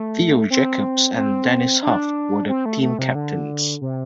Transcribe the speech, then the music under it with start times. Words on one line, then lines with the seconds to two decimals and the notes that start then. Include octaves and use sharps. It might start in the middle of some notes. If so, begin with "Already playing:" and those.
Theo Jacobs and Dennis Huff were the team captains.
Already playing: A3
0.50 C4
1.17 C4
1.83 D4
2.49 C4
2.66 A3
2.82 A3
2.99 C3
3.15 D3
3.81 C3